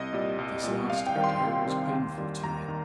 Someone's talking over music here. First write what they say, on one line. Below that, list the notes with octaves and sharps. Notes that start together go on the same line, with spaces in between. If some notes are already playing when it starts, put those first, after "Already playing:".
This last idea was painful to him.
Already playing: C2 D#5
A#2 G3
C2
A#2 G3
C2 F5
G5
C3 D#3 G3
C6
C2
C3 D#3 G3
D#2
D#3 G3
D#2 A#5
D#3